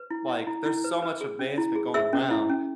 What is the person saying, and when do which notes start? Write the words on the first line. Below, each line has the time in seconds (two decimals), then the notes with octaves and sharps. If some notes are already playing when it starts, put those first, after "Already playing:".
Like, there's so much advancement going around,
Already playing: B4
0.10 E4
0.28 E4
0.47 E4
0.65 E4
0.84 B4
1.02 B4
1.21 G#4
1.39 C#4
1.58 E4
1.75 G#4
1.94 G#4 E5 E6
2.13 C#4
2.31 E4
2.49 C#4